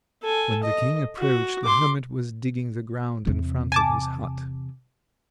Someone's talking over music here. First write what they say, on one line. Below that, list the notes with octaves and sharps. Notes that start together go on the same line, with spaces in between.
When the King approached, the hermit was digging the ground in front of his hut.
A4 G#5
D#5
F#4
C6 D6
E2 C3
G#5 A5 D6